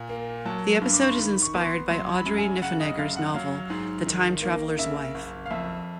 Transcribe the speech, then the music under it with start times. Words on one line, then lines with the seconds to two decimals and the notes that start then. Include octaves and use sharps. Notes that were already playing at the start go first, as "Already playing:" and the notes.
The episode is inspired by Audrey Niffenegger's novel "The Time-Traveler's Wife".
Already playing: A#2
0.09 A#3
0.45 F#3 A5
0.82 G2
0.94 D6
1.02 C#6
1.10 C6
1.18 D#3 B5
1.42 C#6
1.54 B3
1.61 C#6
1.66 C6
1.90 F#3 C6
2.14 B5
2.26 F#2
2.38 G#5
2.62 C#3 F#5
2.80 D#5
2.98 F#2 F5
3.16 F#5
3.34 F#3 F5
3.70 G#2
4.07 D#3
4.42 A#3
4.79 C#3 E5
5.14 F#1
5.46 F5
5.50 F2 E5